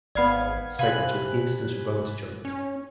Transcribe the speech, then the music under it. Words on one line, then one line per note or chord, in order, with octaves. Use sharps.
Satan took instant advantage of it.
G#1 B3 D5 F5 B5 G#6
C3 F5 G#5 B5 F#6
C#4